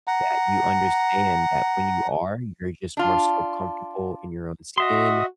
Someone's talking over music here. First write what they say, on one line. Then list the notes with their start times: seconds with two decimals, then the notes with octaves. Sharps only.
that you understand that when you are, you're just more so comfortable in your own skin
0.07 F#5 A#5
2.97 D4 F4
4.78 F#4 D#5 E5 C6 D#6